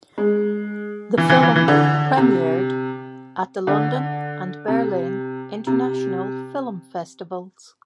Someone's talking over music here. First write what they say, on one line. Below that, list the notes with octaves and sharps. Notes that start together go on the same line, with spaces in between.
The film premiered at the London and Berlin international film festivals.
G#3
E3
E3
E3
E3
D3
C3
D3
C3
C3